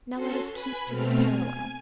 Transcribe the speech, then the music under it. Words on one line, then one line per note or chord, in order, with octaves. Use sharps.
Now let us keep to this parallel.
C#4 F#4 A4 C6
B4 G#5 B5
B2 A3 C4 F6
G#5